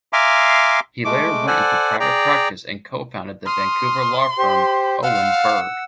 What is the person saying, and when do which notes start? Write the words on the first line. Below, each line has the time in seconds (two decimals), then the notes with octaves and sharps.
He later went into private practice and co-founded the Vancouver law firm Owen Bird.
0.13 E5 F5 G#5 A#5 C6 D6
1.05 G#3 A3 D6
1.47 A4 C5 D5 F#5 G#5
2.00 G#4 D5 G5 A#5
3.46 C6 D#6 F6
4.38 G4 C5
5.03 F5 F#5 E6